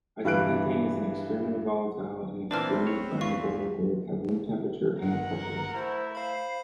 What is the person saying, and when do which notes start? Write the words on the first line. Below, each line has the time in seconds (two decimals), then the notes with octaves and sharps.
Isopentane is an extremely volatile and extremely flammable liquid at room temperature and pressure.
0.25 G2 E3 F5 F#6 D7
2.51 A#2 E3 B3 C4 D4 C5 A5 F6
2.87 C#5
3.21 E2 F4 C#6
5.03 G2 A#4 F#5
5.74 A3 E4 C5
6.15 C5 F5 B5